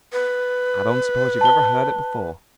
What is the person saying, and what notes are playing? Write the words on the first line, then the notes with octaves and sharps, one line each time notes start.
"I don't suppose you ever heard it before."
B4
A5 G7